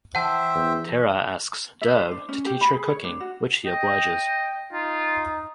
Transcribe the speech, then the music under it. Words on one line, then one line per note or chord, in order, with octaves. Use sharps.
Tara asks Dev to teach her cooking which he obliges.
E3 C5 E5 F#5 G5 A5
E2
E5
C5
D4
C#4
G4
B5
G#4
C#5
D4
F#4
D#5 G5
D#4 F4